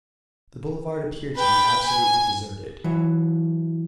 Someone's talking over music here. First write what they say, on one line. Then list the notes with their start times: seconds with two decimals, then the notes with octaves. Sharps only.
The boulevard appeared to be absolutely deserted.
1.36 B4 G5
1.86 G#5
2.84 E3 F#3